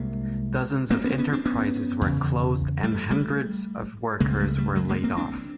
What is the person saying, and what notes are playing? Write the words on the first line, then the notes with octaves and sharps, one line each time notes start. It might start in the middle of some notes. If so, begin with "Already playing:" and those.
Dozens of enterprises were closed and hundreds of workers were laid off.
Already playing: C2 C3 G#3 A#3
A#3 C4
B3 C#4
B3 C#4
C4 D4
B3 C#4
E2 C#3
G3 A3
G3 A3
C#2 C#3 G#3 A#3
G3 A3
G3 A3
F#3 G#3
G#3 A#3
A#3 C4
C4 D4